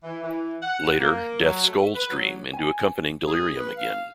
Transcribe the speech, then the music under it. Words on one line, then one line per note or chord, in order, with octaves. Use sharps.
Later, Death scolds Dream into accompanying Delirium again.
E3
E3
F#5
A#3
F#3
A3
B4
F#3
G#5
G#4
B4
F5